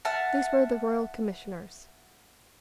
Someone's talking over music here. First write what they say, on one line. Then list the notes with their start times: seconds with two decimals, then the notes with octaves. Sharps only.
These were the Royal Commissioners.
0.05 E5 F#5 A5 F6